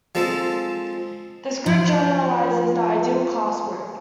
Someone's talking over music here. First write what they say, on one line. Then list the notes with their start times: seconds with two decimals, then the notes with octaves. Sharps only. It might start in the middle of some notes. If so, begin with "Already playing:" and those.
This group generalises the ideal class group.
0.15 F3 G#3 C4 A4
1.66 F3 F#4